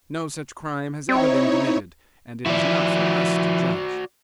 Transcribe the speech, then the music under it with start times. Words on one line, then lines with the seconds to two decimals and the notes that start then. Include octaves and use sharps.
No such crime has ever been committed, and it is not for us to judge.
1.09 C4 D#4 E4 C#5
2.46 F3 E4 F#4 D5